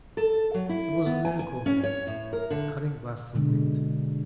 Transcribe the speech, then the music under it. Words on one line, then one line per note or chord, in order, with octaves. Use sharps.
It was a very cold day, with cutting blasts of wind.
A4
F#3
E4
B3
G#5
G#5
C#4
C#5
A2
A#4
D3
B2 D3 G#3